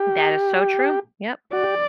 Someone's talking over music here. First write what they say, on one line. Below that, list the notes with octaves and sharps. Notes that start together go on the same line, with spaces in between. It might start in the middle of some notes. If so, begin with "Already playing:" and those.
That is so true, yep.
Already playing: G4
F#4 D5
G4